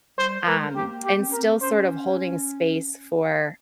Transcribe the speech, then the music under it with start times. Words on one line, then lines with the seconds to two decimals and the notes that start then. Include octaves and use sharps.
um, and still sort of holding space for
0.17 G3 C5
0.46 G#3 A#4
0.75 A#3 G4
1.04 G4
1.18 C4
1.27 C#4
1.32 C4 A#4
1.61 C#4 C5